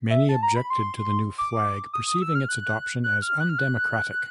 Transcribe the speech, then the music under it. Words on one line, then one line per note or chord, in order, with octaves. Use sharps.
Many objected to the new flag, perceiving its adoption as undemocratic.
E5
A5
A#5
B5
C6
D6
D#6
D#6
E6
F6
F#6
F#6
F6
F#6
F6
F#6